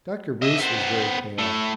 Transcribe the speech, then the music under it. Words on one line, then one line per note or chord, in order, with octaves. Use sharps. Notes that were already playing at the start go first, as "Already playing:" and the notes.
Dr. Bruce was very pale.
D#5 E5
B3 C5
A3 E4